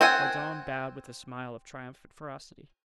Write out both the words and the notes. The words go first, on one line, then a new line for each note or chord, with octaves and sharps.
Mordaunt bowed with a smile of triumphant ferocity.
C4 C5 F#5 G#5